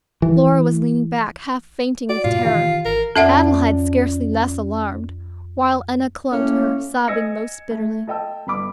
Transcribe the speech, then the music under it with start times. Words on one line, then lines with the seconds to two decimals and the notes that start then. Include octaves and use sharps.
Lora was leaning back, half fainting with terror; Adelaide scarcely less alarmed, while Enna clung to her, sobbing most bitterly.
0.22 E3
2.09 F#4 D5
2.24 F#2 A2 C3 F4
2.45 D#3 E3 G4
2.85 G#1 A#4
3.16 F2 C#4 A4 D5 E5 F#5 A5
6.32 A2 A#3 C#4
7.08 D#5 G#5 E6 G#6 A#6 C#7
7.71 A3
8.07 A4 D#5 G5 A5 E6
8.47 G1 B5 D6